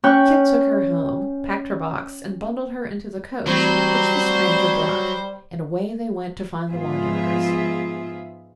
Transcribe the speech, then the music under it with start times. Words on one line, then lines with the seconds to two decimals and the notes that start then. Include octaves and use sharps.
Kit took her home, packed her box and bundled her into the coach which the Stranger brought, and away they went to find the wanderers.
0.04 C#4 G5 C#6 F#6
3.46 E3 F#3 G3 A3 C4 C5
6.70 G#2 F3 B3 F4 G#4 E5